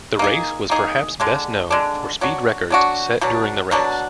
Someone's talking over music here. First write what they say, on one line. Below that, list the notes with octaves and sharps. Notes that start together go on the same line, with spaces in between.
The race was perhaps best known for speed records set during the race.
A#3 D#4 G#4
A#3 D#4 G#4
D3 G#3 D4
D3 G#3 D4
F#3 D4 F#4
F#3 D4 F#4
B2 F#3 D4
B2 F#3 D4